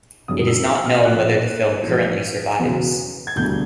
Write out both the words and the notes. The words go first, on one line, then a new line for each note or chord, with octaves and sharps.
It is not known whether the film currently survives.
F#1 F#2 D3 G3 D#6
E6
E6
F6
A#2 F3 A#3 C#4 F4 F#6
A#1 G#2 E3
E1 E2 C#3 F#3 B3
G#6
E1 D2 D3 G3 G6